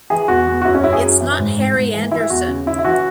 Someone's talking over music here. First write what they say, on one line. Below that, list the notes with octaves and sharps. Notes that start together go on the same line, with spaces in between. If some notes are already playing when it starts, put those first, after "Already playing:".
It's not Harry Anderson.
E3 G#4
E2 F#4
E2
F#4
F#2 E4
C#4
F#2 E4
G#4
F#2
E3
G#2
G#2
G#2
E3
E3 E4
E2 F#4
C#3
C#3 E4
E4
E3 F#4